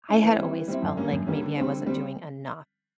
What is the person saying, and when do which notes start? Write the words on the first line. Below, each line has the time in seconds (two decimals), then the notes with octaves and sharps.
I had always felt, like, maybe I wasn't doing enough,
0.09 A3 C#4 E4
0.23 E3
0.38 G3 C4 E4
0.53 E3
0.68 G3 C4 E4
0.83 F#2
0.97 D3 G3 A#3 C#4
1.12 F#2
1.26 D3 G3 A#3 C#4
1.41 D3
1.57 G3 C4
1.72 D3
1.86 G3 C4